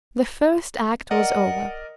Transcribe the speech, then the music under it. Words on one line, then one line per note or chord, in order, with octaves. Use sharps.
The first act was over.
A#4 D5 D#5 F#5